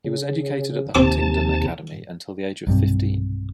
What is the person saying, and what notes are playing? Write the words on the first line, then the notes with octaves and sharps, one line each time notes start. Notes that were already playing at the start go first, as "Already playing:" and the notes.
He was educated at the Huntingdon Academy until the age of fifteen.
C#3
D#2 C3 C4 A5 D6
B1 G2 C3